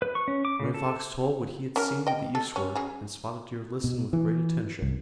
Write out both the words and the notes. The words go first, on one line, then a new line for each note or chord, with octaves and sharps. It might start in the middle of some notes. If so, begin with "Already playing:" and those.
Running Fox told what he had seen to the eastward, and Spotted Deer listened with great attention.
B4
C#6
C#4
D6
C#3
A4
C#4 A#4
D#5 G5
A4
C#4
C#3 G#4
B2
E3
C2